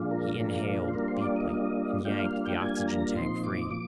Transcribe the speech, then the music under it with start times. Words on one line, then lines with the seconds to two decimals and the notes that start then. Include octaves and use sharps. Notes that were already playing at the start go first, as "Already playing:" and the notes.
He inhaled deeply and yanked the oxygen tank free.
Already playing: A#2 F3 G#3 D4 F4
0.11 A#4
0.39 A#2 F3 G#3 D4 F4
0.88 C5
0.94 G3 A#3 D4 F4 A#4
1.08 C5
1.22 D5
1.36 D#5
1.49 G3 A#3 D4 F4 D#5
2.05 G3 A#3 D4 F4 G5
2.18 F5
2.33 F5
2.46 G5
2.60 G3 A#3 D4 F4 G#5
2.88 A#5
3.15 A#2 F3 C4 D#4 C6
3.44 D6
3.71 A#2 F3 D6